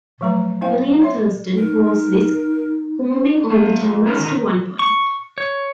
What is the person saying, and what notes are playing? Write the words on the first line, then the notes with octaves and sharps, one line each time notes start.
William Thurston calls this "combing all the tangles to one point".
F3 F#3 A3 B4 A#5
C4 E4 C5 F5 G5
B3 E4 C#5 E5 C6
D#4 A#4
A#3 E5
F2
G#3 C#4 D#4 A4 A#4
D3 D#3 A#4
C#6
C#5